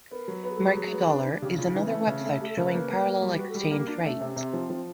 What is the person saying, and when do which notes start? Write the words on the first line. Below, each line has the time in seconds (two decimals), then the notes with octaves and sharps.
Mercadolar is another website showing parallel exchange rates.
0.11 B3 A#4
0.28 F#3
0.44 B3 B4
0.51 G#4
0.55 A4
0.60 F#3
0.66 G#4
0.76 F#3
0.93 B3
1.09 D4
1.26 D4
1.42 C#3 G4
1.51 F#4
1.58 C#3 F4
1.66 E4
1.74 E3 D#4
1.86 C4
1.91 A3
1.97 C#4
2.07 C#3
2.19 C4
2.24 A3
2.40 A3 G4
2.49 A4
2.57 C#3 A#4
2.65 B4
2.73 A#3
2.90 A#3
3.05 A#3
3.22 G3
3.31 C5
3.38 F#4 B4
3.49 A4
3.55 G3
3.61 G#4
3.71 A#3 G#4
3.80 G4
3.87 D4 F#4
3.96 E4
4.04 A3 D#4
4.14 C#4
4.21 C3
4.26 C#4
4.36 C3 C4
4.53 F3
4.70 F3